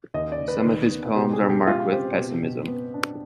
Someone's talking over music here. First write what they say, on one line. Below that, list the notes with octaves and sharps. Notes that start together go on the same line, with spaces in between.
Some of his poems are marked with pessimism.
D#2 D#5
D5
D#2
B4
D#3
B3
B2 G4
G#4
B2
G4
G#3 F4
C4 G4
B2
B2
B3
D4